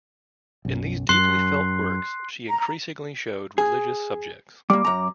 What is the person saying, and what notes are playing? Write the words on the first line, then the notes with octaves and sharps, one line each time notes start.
In these deeply felt works she increasingly showed religious subjects.
B1 F#2
F#2 C6 F#6 C7
A#5
G#4
G3 A#3 D6
F#2 A#5